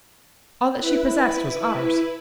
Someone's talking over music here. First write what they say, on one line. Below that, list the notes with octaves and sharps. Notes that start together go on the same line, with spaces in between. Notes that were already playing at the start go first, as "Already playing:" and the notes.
All that she possessed was ours.
E4 B4